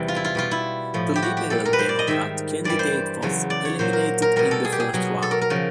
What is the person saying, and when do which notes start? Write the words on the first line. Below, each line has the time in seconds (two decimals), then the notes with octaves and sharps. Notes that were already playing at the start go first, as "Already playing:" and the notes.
The Liberal Democrat candidate was eliminated in the first round.
Already playing: E2 C3 E3 G3
0.08 F4
0.16 E4
0.25 F4
0.35 B2 G3 F4
0.51 E4
0.94 A2 F3
1.16 G4
1.22 F#4
1.37 G4
1.50 A#2 G3 A4
1.65 A#4
1.73 B4
1.79 C5
1.89 D5
1.99 D#5
2.07 G#2 D#3 G3 E5
2.64 G2 E3 G3 D5
2.79 C5
3.22 E2 C#3 F#3
3.50 D5
3.65 C#5
3.79 A#2 F#3 C5
3.93 A#4
4.22 A#4
4.36 B2 G3 A#4
4.51 A4
4.65 G#4
4.72 G4
4.80 G#4
4.93 B2 F#3
5.22 A4
5.31 A#4
5.41 A#4
5.50 C#3 F3